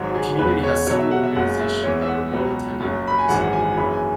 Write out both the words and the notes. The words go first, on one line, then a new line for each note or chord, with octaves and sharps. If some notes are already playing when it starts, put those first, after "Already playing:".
The community has several organisations that are well attended and participated.
Already playing: G#1 G#2 F#3
G#4
E1 E2 C#3 B4
C#5
E2 B2 F#3 C#5
E5
F#5
E5
F#1 F#2 C#3 G#3 F#5
E5
E2 E3 G#3 C#5
E5
F#5
C#2 B2 F#3
F#1 F#2 F#3
B5
G#5
G#1 F#2 E3 G#3 F#5
F#5
G#5
F#1 F#2 E3 G#3 B5
G#5